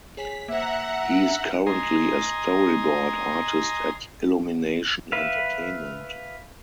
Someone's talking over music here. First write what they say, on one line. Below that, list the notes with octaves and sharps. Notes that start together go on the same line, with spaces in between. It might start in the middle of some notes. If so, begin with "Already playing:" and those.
He's currently a storyboard artist at Illumination Entertainment.
G#4 C#5 G#5 B6
A#3 C5 E5 F#5 A#5
D#5 G#5 A#5 C6
B4 E5 F5